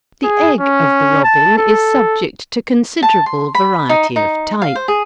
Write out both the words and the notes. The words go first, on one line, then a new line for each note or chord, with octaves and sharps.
The egg of the robin is subject to considerable variety of type.
G#4
C#4
A5
A4
A5
C6
B5
D#4
D#4
F5
C5
G#4